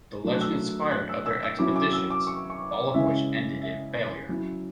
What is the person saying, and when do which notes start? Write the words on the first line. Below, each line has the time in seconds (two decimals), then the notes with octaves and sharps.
The legend inspired other expeditions, all of which ended in failure.
0.24 F#3 A3 D4
0.34 F#6
0.41 E6
0.91 F#6
1.09 E6
1.26 E6
1.43 E6
1.59 F#3 C#4 E4 D6
1.76 D6
1.93 E6
2.10 D6
2.27 C#6
2.50 C#6
2.71 D5
2.94 C#3 E3 G#3 C#4 E4 E5
3.61 E5
4.29 F#3 C#4 E4